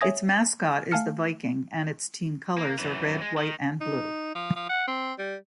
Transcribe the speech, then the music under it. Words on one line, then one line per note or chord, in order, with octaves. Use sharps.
Its mascot is the Viking, and its team colors are red, white and blue.
C#5 E5 G#5 D#6 G#6 A#6
A3 F5 G#5 A5 F6 C#7
A#3
F#2 E3
G#3
D#3
D#4
F3
F3
F#5
C4
G3